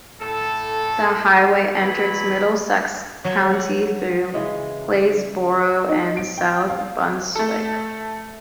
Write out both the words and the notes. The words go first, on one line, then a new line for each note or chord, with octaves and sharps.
The highway enters Middlesex County through Plainsboro and South Brunswick.
A2 A4
E3 F#3 B5
F#3
F#5
C#3 E3 G#3
D#4
D7
G5
F5
A3 A4